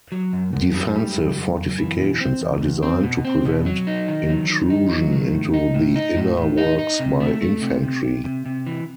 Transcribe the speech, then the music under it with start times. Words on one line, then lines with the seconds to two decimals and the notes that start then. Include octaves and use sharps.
Defensive fortifications are designed to prevent intrusion into the inner works by infantry.
0.12 F#3
0.33 F#2
0.53 F#2
0.74 G3
0.95 G3
1.16 F#2
1.37 F#2
1.58 F#2
1.78 E3
2.00 B2
2.21 C4
2.41 E2
2.61 E2
2.83 C4
3.03 B2
3.25 C4
3.45 B2
3.66 F#3
3.87 D#4
4.08 D#3
4.29 F#3
4.49 D#3
4.70 D#4
4.91 F#3
5.12 D#3
5.33 A2
5.54 D#4
5.74 A2
5.96 D#4
6.16 A2
6.37 A2
6.58 D#4
6.79 D#4
7.00 C3
7.20 A3
7.42 A3
7.62 C3
7.83 C3
8.04 C3
8.24 C3
8.46 C3
8.67 E3